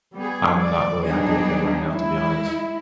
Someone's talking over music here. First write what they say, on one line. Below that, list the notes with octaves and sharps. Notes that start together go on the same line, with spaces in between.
I'm not really happy with him right now, to be honest.
G3 B3 G#4
D5
F#3 G3 B3 D4 D#4 G#4
G#3 E4